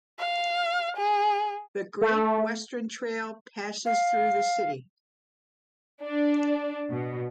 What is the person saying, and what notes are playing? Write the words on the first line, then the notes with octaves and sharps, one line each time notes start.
The Great Western Trail passes through the city.
F5
G#4
A3
F5
D4
B2